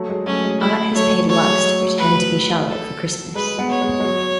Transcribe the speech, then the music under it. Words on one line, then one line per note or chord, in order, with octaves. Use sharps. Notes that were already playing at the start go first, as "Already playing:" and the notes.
Art has paid Lux to pretend to be Charlotte for Christmas.
Already playing: F#3 A3
G#3
F#3 A3 C#4
G#3
G#3 E4
F#3 A3 C#5
F#3 A3 C#5
F#3
G#3
F#3
F#3
F#3 B4
A4
G#3 B4
G#3 B3
C#5
G#3
G#3
F#3